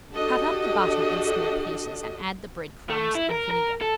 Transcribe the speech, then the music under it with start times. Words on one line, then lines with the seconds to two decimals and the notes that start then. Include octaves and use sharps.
Cut up the butter in small pieces, and add the bread crumbs and vinegar.
0.12 D4 F#4 G4 A4 D#5
2.90 A3
3.15 E4
3.31 A#4
3.51 A#4
3.82 A4